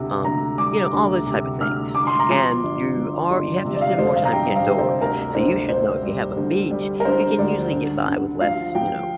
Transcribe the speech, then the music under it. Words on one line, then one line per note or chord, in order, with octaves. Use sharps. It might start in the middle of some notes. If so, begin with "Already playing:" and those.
um, you know, all those type of things, and you are you have to spend more time indoors. So you should know if you have a beach, you can usually get by with less, you know
Already playing: D2 C3
D2 A#5
G3 D6
D2
C3
D2 F6
D2 D6
C6
A#5
F3 C6
G1
F3
G1
C3
D5
F5
F2 C5
F5
A#5
G1 G5
F5
C3
C5
D2 A#4
D2 C5
D2 C5
G3
D2
G3
A#4
D3 C5
D2 D5
D3
D3
F3 F5
F3 G5